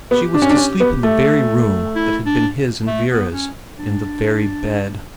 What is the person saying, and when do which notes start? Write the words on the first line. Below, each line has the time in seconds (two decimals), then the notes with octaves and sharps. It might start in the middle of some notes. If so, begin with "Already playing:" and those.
She was to sleep in the very room that had been his and Vera's, in the very bed.
0.11 B3 G4
0.34 D4
0.42 C#4
0.50 D4
0.57 C#4
0.80 B3
1.03 A3
1.95 E4
2.26 D4
2.87 A3
3.10 B3
3.32 C#4
3.79 D4